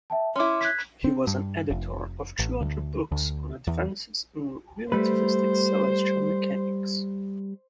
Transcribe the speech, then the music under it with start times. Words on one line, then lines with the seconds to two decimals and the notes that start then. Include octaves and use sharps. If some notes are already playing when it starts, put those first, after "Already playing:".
He was an editor of two other books on advances in relativistic celestial mechanics.
0.10 E5 G5 A5
0.36 C#4 E4 C6 D6
0.61 F#6 G#6 B6
1.04 C4
1.27 G2
1.70 F1
2.39 A1
2.61 D2
3.12 D2
3.67 E2
4.92 G3 A3 B4 C5